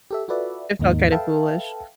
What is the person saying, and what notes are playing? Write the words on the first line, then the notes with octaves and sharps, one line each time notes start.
It felt kind of foolish.
G4 A4 E5
F4 F#4 A4 B4 D5 E5
D#2 G#2 D#3 A#3 D#4
A4 B4 E5 F5 G5 A5